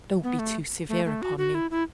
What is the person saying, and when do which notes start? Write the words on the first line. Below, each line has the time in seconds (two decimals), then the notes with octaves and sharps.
Don't be too severe upon me.
0.23 B3
0.39 A3
0.89 A3
1.05 A3
1.22 F#4
1.38 F#4
1.55 E4
1.71 E4